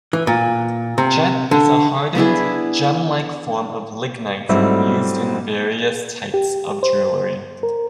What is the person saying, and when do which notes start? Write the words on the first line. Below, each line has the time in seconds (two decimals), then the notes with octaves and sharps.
Jet is a hardened, gem-like form of lignite used in various types of jewelry.
0.13 E3
0.27 A#2
0.98 C3
1.51 D3
2.15 B3 D4 E4 G#4
4.49 G#2 F#3 G3 A3 C4 E4
6.34 G4
6.83 C5
7.63 A#4